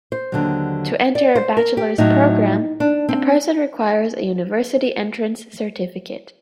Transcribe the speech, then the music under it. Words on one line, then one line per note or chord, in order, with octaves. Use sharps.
To enter a Bachelor's program, a person requires a University entrance certificate.
C5
D#2 D3 F#3
D5
C5
A#4
G4
A2 F#3 D#4
D4
C4